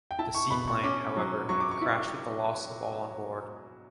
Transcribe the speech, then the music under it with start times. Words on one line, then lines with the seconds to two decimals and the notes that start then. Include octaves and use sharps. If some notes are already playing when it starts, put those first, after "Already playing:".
The seaplane, however, crashed with the loss of all on board.
0.11 G5
0.19 E4 A5
0.35 C#6
0.50 B2 B5
0.68 C#6
0.83 C#4 D6
1.17 F#3
1.49 F#3 C#6
1.60 D6
1.71 C#6
1.81 E4